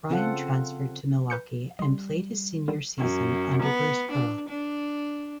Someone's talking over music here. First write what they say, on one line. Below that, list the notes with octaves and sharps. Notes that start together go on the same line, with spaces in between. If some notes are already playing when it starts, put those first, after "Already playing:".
Ryan transferred to Milwaukee and played his senior season under Bruce Pearl.
C#3 C4 F4 A4 F#5
B4 G6 C#7
G3 D#5 C6
D3 D#3 G3
F#2
B3
D4
D4